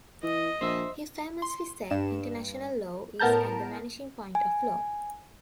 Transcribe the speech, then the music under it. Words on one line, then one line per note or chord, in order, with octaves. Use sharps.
He famously said international law is at the vanishing point of law.
E3 D#5
A#1 C5 E5
C6
G2 E7
A2 B3 A#4 A5 A#5 G6
G#5